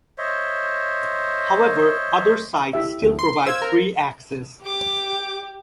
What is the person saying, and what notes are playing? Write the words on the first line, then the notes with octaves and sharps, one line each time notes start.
However, other sites still provide free access.
C5 C#5 D#5 E5
E4 G4 E5
D2
C6
C5 F5 E6 G#6
A#4
G4 D6